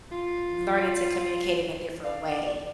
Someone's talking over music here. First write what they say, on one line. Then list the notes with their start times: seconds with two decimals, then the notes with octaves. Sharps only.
learning to communicate in a different way.
0.12 F4
2.04 D5 F5